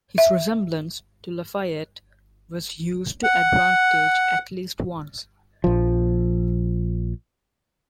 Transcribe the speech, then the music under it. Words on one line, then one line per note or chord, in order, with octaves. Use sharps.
His resemblance to Lafayette was used to advantage at least once.
E5
F#5
A#1 F3